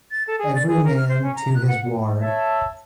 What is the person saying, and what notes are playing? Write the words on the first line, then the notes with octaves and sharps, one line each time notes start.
Every man to his Ward!
A6
A4
G#4
D5
G#4
A#4
F6
C5
C#4
A#5
F#6
F#5
C#5 E5 A5